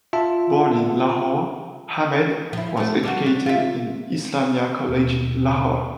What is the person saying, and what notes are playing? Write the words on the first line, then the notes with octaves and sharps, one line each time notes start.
Born in Lahore, Ahmed was educated at Islamia College Lahore.
F4 E5 A5
F3 E4
A3 A4
G3 D4 F#4
D4
F4 E5
D#2 B2